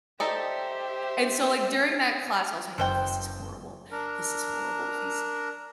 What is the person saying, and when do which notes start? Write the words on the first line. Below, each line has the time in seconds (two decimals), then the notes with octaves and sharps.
and so, like, during that class, I was, like, "Oh, this is horrible, this is horrible, please,
0.20 D#4 G4 A4 C5 D5 E5
2.78 F#1 B2 C5 G5
3.91 D4 A#4